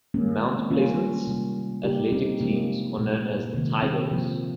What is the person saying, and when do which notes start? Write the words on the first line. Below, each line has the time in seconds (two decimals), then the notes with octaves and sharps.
Mount Pleasant's athletic teams are known as the "Tigers".
0.14 D#3 G#3 A#3 C#4
0.71 D#3 G3 A#3 C#4 F4
1.27 C3 G3 A#3
1.84 C#3 G3 A#3 D#4 G4
2.12 C4 D#4
2.40 C3 F3 G#3 A#3 C#4
2.98 A#2 G#3
3.54 C3 D#3 A#3
3.82 C4
4.11 C3 F3 A#3